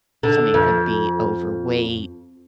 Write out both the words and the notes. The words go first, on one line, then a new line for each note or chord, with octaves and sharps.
Somebody could be overweight.
D3
F2